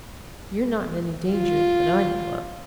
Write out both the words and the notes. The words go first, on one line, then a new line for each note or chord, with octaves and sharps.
"You're not in any danger that I know of."
F4